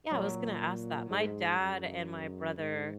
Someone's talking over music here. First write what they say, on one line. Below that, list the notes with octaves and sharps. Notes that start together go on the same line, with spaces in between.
Yeah, I was gonna ask that, my dad and my brother
A#2 F#3
G#2 G#3
F#2
G#2